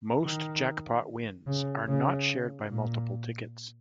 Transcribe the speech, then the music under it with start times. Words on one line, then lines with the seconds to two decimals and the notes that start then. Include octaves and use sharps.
Most jackpot wins are not shared by multiple tickets.
0.22 D#3
1.47 C#3
1.87 C#3
2.70 A#2